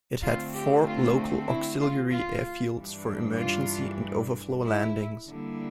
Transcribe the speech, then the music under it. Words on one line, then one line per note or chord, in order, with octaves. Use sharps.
It had four local auxiliary airfields for emergency and overflow landings.
D3 A3 C4 F4
G4
F4
E4
F4
F4
G2 E3 G3 D4
F4
E4
D3 G3 A#3 E4